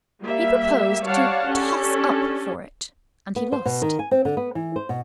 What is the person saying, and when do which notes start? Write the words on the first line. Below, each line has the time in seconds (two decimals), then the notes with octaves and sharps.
He proposed to "toss up for it"--and he lost.
0.23 G3 A#3 G4 E5
1.04 G3 C#5 D5 F5 F#5 A5
1.48 C#4 D4 G4 A4
3.36 B3
3.52 C5
3.66 B2
3.82 D#3
3.99 G#5
4.11 C4
4.25 D3
4.37 B3
4.55 E3
4.76 C5
4.89 B2